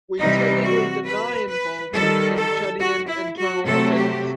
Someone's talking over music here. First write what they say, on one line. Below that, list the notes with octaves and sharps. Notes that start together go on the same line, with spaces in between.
We technically deny involvement in Chadian internal affairs.
C3 E3 G3 D#4
F#4
B4
B4
D#3 G3 A4
A4
F#4
E4
F#4
C3 F#3 A3 A4
G4